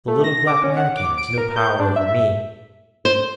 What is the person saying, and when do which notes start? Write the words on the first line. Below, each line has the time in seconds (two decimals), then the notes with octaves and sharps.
The little black Mannikin has no power over me.'
0.08 A3
0.24 A#6
0.47 D6
0.64 C#4
0.77 F#5
0.97 D6
1.18 D7
1.38 A#4
1.56 G6
1.80 D4
1.96 E5
3.05 C5